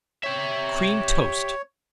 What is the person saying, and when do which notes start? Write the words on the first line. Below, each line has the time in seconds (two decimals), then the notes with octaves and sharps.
Cream Toast.
0.24 G4 C#5 E5